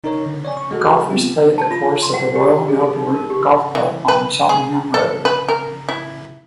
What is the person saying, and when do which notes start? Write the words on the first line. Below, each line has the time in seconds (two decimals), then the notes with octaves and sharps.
Golfers play at the course of the Royal Melbourne Golf Club on Cheltenham Road.
0.04 D#4 A#4 C#5
0.26 D3
0.45 C#5 D5 G#5
0.57 C#6
0.71 G#3 F#4 A4
1.10 B3 C4 F4
1.58 A5
1.71 F4
2.03 C6
2.14 F#5
2.35 G4
2.68 G#4
2.81 A4
2.95 D#4
3.14 A#4
3.30 G4
3.75 E3
4.08 B4
4.49 G#4
4.94 A4
5.25 B4
5.48 A#4
5.89 E4